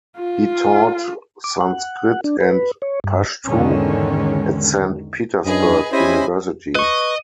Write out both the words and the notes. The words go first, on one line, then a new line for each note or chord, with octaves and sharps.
He taught Sanskrit and Pashtu at Saint Petersburg University.
F4
D6
F#5
D4
B4
C#5
G2
E2 G#2 D3 D#3 G#3 C#4
F#2 D4 G#4 B4 D#5
C#4 E4 G4 C5 D#5 G#5 B5
B4 D#5 C#6